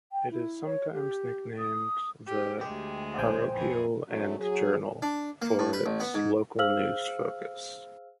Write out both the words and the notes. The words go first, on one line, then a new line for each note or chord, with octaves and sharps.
It is sometimes nicknamed the "Parochial and Journal" for its local news focus.
G5
E4
C#5
G4
D#6
G4
D2 G#3 G4
A#1 C5 G5 G#5
F2 E3 G#4
F#2 D3 F#3 A3 C#4
F#3 G#4
D4
A#3
A2
B4
A1
B3
G#2
G#4 C5 F5 E6 F6 F#7